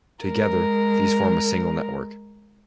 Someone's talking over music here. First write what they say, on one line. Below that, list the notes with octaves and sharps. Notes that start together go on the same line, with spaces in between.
Together these form a single network.
G#3 A#4